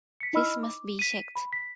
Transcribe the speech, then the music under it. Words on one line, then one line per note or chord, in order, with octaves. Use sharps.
This must be checked.
B6 C#7
D#4 E4 D#5 B5 E6 F6
D6
B6 D#7
B5
B6